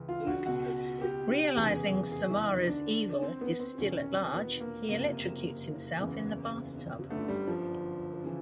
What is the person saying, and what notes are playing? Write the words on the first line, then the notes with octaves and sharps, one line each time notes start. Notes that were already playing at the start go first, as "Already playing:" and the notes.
Realizing Samara's evil is still at large, he electrocutes himself in the bathtub.
Already playing: C#2 C#3 E3
F4
F#4
C#2 B2 F#4
G4
F1 E2 C#3 E3 G#4
G#4
E4
D#4
D2 D3 D4
C4
B3
C4
E1 E2 C3 D#3 C#4
C#4
C4
B3
A#3
F#1 F2 C3 A#3
F#1 E2 C#3 E3
G1 F#2 D3 A3
G3
F3
C#3 E3